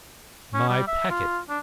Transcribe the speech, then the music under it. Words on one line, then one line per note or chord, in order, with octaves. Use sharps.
"My packet?"
C#4
G3
E5
F4
D4